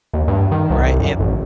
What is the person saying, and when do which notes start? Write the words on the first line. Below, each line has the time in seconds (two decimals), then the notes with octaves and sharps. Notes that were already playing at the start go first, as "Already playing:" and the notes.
right? And
0.13 D#2
0.28 G2
0.51 D#3
0.70 C2
0.99 F#2
1.20 A1